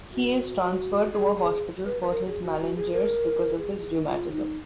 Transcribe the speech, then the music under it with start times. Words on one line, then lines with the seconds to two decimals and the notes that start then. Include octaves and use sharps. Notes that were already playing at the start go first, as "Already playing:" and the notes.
He is transferred to a hospital for malingerers because of his rheumatism.
0.13 F#4
1.12 G#4
1.37 G#4
1.86 B4
2.02 B4
2.10 A#4
2.26 G#4
2.43 F#4
2.59 F#4
2.76 G#4
2.92 A#4
3.57 G#4
3.96 D#4
4.07 F4
4.32 D#4